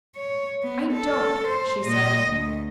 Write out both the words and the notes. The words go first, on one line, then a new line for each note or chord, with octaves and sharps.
"I don't," she said.
C#5
B3
A4
C5
A#2 D#5
D2